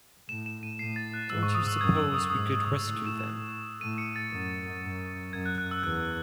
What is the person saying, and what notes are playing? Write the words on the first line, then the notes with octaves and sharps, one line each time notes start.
Don't you suppose we could rescue them?
A2 E7
E7
D#7
A2 C7
A6
F#6
G#2 E6
C#6
D#6
E6
F#2 G#6
E6
D#6
G#2 D#6
D#6
A2
E7
E7
A2 D#7
C#7
A6
F#2
F#2
F#2 G#6
F#6
F#6
E6
E2 F#6